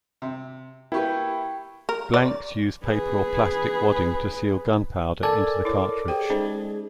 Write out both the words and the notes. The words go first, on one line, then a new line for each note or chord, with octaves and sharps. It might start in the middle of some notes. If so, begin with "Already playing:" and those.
Blanks use paper or plastic wadding to seal gunpowder into the cartridge.
C3
A#3 E4 G4 B4 G5 C#6
A#4
D5
G#4 B4
A4 A#4 D5 G#5 A5
E4 C#5 D6
G4 G#4 C5 G5
G#3 C#4 D#4 C5